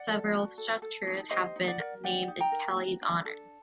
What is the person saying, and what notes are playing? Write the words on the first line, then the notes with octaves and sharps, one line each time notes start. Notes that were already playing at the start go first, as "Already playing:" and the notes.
Several structures have been named in Kelley's honor.
Already playing: D5 F#5
A4
F#4
A4
A4
D#4
G4 C5 D#5
D#4
D5 F#5
A#4
G4 D5 F#5
D#4
G5 A#5
A#4
F#4
D4
A4